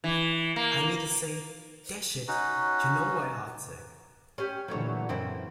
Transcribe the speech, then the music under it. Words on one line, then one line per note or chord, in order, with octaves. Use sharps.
I mean to say — dash it, you know why hearts ache!
E3
A#3
C#4 D#4 F#4
C#4 G4
A#2 D3 E3 F#3 A3 C#5
F#2 C4 E4